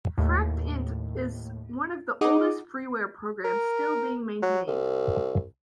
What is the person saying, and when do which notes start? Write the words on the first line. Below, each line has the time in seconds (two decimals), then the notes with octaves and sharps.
FractInt is one of the oldest freeware programs still being maintained.
0.18 D#2 A2
2.21 D#4 G#4 D#5 F#5 D6 D#6
3.44 A#4
4.42 F#3
4.68 C2